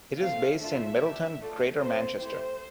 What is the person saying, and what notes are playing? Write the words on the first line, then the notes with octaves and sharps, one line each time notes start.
It is based in Middleton, Greater Manchester.
A3 C4 F4 A4 F5
A3 D4 F4 E5
D4 G4
A3 D4 F4 A4
C4 F4 A4 C5
A3 E4 G4 C5